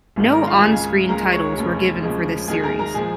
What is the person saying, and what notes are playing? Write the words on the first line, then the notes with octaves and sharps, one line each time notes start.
No on-screen titles were given for this series.
G#1 G#2 D#3 G#3
A#4 A#5
F4 F5
C#2 C#3 G#3 G#4 G#5
C#2 C#3 G#3 A#4 A#5
C#5 C#6
F1 D#2 C#3
D#2 C#3 F3 G#3
D#2 D#3 G#3 G#4 G#5
A#4 A#5
A#4 A#5
A#2 F3 G#3 G#4 G#5